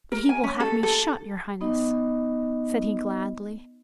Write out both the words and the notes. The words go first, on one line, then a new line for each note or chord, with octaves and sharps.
"But he will have me shot, your highness," said he gladly.
A#4
G#5
C#4
A4
A4
B3 D#4 D#5